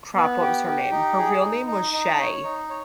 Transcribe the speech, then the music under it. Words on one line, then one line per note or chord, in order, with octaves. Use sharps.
crap, what was her name? Her real name was Shay,
B3
G4
G4
D#4
G#4
D#4
D#4
D#4
C#5
D#4
C#5